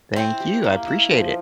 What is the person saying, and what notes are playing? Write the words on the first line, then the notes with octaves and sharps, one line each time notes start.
Thank you, I appreciate it.
C4 E4
G4
A#3
E4
F3